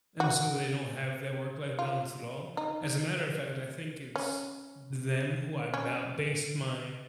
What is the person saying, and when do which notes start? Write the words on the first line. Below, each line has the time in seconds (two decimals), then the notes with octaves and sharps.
and so they don't have that work-life balance at all. As a matter of fact, I think it's them who I mou base my
0.20 F#4
1.79 F4
2.57 D#4
4.16 C#4
5.74 C#4